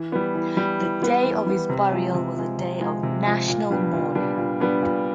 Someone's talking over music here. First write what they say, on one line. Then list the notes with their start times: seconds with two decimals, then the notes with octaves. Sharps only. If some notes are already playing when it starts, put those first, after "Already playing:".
The day of his burial was a day of national mourning.
Already playing: E3
0.12 G3 B3
0.34 E3
0.57 G3 B3
0.80 E3
1.02 G3 B3
1.25 E3
1.47 G3 B3
1.70 C3
1.91 F3 G#3
2.14 C3
2.36 F3 G#3
2.59 C3
2.81 F3 G#3
3.03 C3
3.26 F3 G#3
3.48 A#2
3.71 G3 B3 D4
3.93 A#2
4.15 G3 B3 D4
4.37 A#2
4.60 G3 B3 D4
4.83 A#2